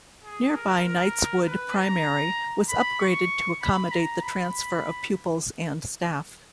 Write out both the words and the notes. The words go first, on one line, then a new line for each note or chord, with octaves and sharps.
Nearby Knightswood Primary was upgraded to accommodate the transfer of pupils and staff.
G#4
A#4
A#4
B4
A#5
B5
C#6
B5
A#5
B5